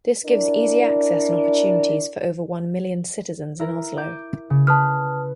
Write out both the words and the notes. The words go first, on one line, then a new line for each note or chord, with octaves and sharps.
This gives easy access and opportunities for over one million citizens in Oslo.
D4 E4 A#4 D5
E4 A#4
D6 G6
C#3
B4 A5 D#6 F6